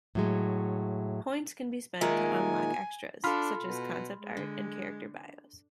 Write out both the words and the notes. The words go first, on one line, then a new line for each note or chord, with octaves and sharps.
Points can be spent to unlock extras, such as concept art and character bios.
A2 F#3 G#3
A#2 D#3 G#3 A#4 E5 G#5
D4 F4 A4 B5 C6 F6
B2
G#3
D3